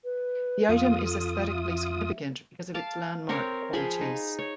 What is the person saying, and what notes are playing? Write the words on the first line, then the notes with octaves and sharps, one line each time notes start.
The item is aesthetically significant because of its landmark qualities.
B4
F2 F4 F5 D#6
A4
E5
F5 A5 D6
C4 A#4 C#5
F3 G#4 B5 C6
D#4
C#5